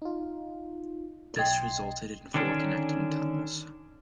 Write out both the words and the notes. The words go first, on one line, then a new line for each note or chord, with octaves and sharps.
This resulted in four connecting tunnels.
D#4 F4
B1 D#5 G5 C6 G#6 A6
D3 D#3 C#4 D4